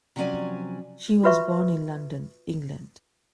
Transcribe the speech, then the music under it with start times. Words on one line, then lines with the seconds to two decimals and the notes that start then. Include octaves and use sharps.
She was born in London, England.
0.16 C3 F3 F#3 C#4 D5 G#5
1.24 F4 F#4 B4 E5 C#6